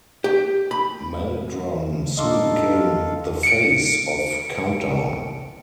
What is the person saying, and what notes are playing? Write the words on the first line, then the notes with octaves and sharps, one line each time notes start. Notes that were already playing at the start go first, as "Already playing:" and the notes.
Meldrum soon became the "face" of "Countdown".
G4
B5
D4 D#4 A4 D#5 F5 C6 D6
C#7 D7